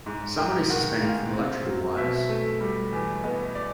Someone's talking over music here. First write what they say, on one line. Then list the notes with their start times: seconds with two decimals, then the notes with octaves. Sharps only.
Someone is suspended from electrical wires.
0.06 G#2
0.38 G#2 G5
0.70 D#3 F#5
1.01 G#3 F5
1.33 C4
1.65 F#3
1.97 B2 E5
2.29 A3
2.61 G3
2.93 E2
3.24 B3 D#5
3.55 D5